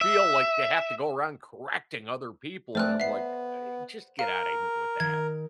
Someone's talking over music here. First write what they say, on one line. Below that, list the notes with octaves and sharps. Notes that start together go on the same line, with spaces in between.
feel like they have to go around correcting other people, and I'm like, I "Just get out of here with that."
E5
A3 C4 C5 D5 G#5 F6 F#6
B3 C5 E5 C7
A#4 F5
D#3 G#6